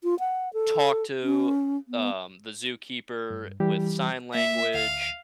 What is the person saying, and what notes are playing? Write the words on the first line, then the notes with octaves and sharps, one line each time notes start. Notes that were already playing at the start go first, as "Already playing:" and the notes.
talk to, um, the zookeeper with sign language,
F4
F#5
A4
C#4
B3
G2
E3 G3 G4
A#3 E5
D2 F5